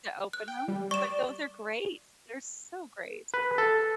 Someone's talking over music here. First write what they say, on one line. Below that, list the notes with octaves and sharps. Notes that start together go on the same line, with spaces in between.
to open them? But those are great, they're so great.
F#6
G5
G3
D5 C#6 E7
B4
A4